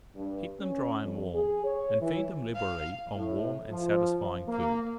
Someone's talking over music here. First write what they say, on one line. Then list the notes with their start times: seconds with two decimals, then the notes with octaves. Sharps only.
Keep them dry and warm, and feed them liberally on warm and satisfying food.
0.15 G2
0.59 C#4
1.02 F2
1.34 G#4
1.64 C#5
2.01 E3
2.56 F5
3.15 A2
3.70 F3
4.48 A#3